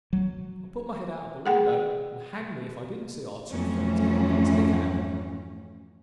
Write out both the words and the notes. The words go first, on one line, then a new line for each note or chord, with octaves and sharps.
I put my head out of the window, and, hang me if I didn't see our two friends getting into the cab.
F#3
G#4 F#5 G5
F2 G#2 E3 F#3 A3 C#4